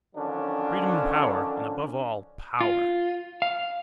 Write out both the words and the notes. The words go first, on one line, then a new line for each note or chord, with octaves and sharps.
Freedom and power, and above all, power!
D3 D#3 F3 F#3 C#4 D4
F4
F5